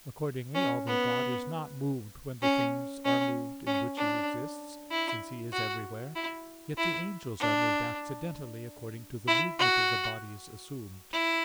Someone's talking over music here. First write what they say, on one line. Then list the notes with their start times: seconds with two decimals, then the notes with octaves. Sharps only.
Accordingly, although God is not moved when the things are moved in which He exists, since He is everywhere; yet the angels are moved accidentally according to the movement of the bodies assumed.
0.55 C#4
0.87 B3
2.42 C#4
3.05 C#4
3.67 C#4
3.97 D4
4.91 E4
5.53 F#4
6.16 E4
6.78 E4
7.40 D4
9.27 E4
9.59 F#4
11.13 E4